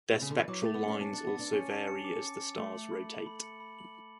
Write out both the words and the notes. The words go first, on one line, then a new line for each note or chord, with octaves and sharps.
Their spectral lines also vary as the stars rotate.
B2
C#3
D3
E3
F#3 D6
A3 A6
B3
C#4 C#7
C#4 A5
D4
A6
B3
D4 A6
C#4 C#7
A5
C#7
D6
D6
A5
A3 F#7
F#7
B5
F#7
B5
C#7
B5
F#7
F#7